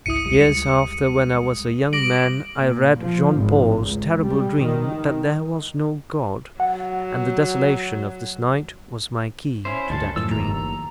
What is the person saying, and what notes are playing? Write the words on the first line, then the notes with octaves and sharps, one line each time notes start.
Years after, when I was a young man, I read Jean Paul's terrible dream that there was no God, and the desolation of this night was my key to that dream.
G#1 C#2 E4 D#6 C#7 D#7
D2 G3 G#3 D#7
G3 D6 A#6 D7 F#7
A#2
F3
G#1
C#2
G3
D#3
F#3 F#5
C#4 E4 C5
D2 D4 A4 A5
F#2 A2 F3 E6
F#1 D#2 A#5